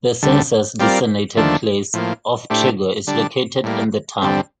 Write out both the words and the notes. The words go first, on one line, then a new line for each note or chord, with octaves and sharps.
The census-designated place of Trego is located in the town.
D2 D3 G3
G3 C4 F4 A#4 D5
D#2 D3 F3 A3 D4
A2 F3 A#3
A2 A3 D4 G4 C5
D3 G3 D4
A2 G3 A#3
G2 D3 G3 C4